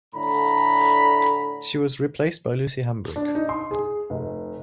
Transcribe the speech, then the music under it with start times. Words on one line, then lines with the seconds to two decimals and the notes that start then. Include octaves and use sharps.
She was replaced by Lucy Hambrick.
0.14 A2 D3 A#5 B5
3.16 D4
3.35 D#4
3.49 C6
3.71 G#4
4.10 F1